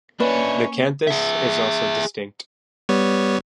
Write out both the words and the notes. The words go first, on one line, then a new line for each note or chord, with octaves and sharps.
The canthus is also distinct.
A#3 C#4 D4 E4 B4 C#5
G#4 E5
G3 B3 C#5